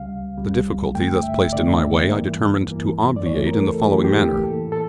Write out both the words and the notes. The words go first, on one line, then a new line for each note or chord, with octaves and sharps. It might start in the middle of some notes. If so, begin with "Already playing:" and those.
The difficulty thus placed in my way I, determined to obviate in the following manner.
Already playing: C#2 C#3 G3 F5
C#2 C#3 G3
G2 D3 A3 G5
E5
G2 D3 A3 D5
G2 E3 A#3
G2 E3 A#3
D5
F2 C#3 E3 A3 C#5
A#4
A4
F2 C#3 E3 A3 G4
G4
A2 E3 A#3 A4
A4